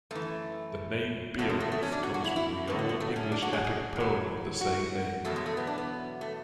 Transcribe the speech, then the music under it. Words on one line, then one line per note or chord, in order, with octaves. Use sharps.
The name "Beowulf" comes from the Old English epic poem of the same name.
F#2 E3 A3
E2 B2 F#3 A3
G#3
A3
A3
C#4
D4
F#4
F#4
E4
E4
F#2 D3 F#3 B3
A3
B3
A3
C#4
D4
F#4
G#4
G#4
A2 F#3
F#4
E2 B2 F#3 A3
G#3
A3
B3
D4
B3
A3